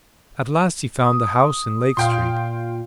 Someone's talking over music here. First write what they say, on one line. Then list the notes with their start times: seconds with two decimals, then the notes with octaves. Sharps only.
At last he found the house in Lake Street.
1.05 D#6
1.97 A#2 F5 G5 C6